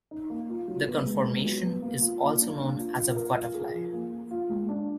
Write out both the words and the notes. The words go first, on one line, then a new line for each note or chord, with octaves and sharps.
The conformation is also known as a "butterfly".
D#4
A#3
F4
F#3
B3
G#3
B3
F#3
B3
A#3
F4
A#3
D4
A#3
F4
F4
A#4
F4
G#4
F3
A#3
A#3
F4
G#3
D4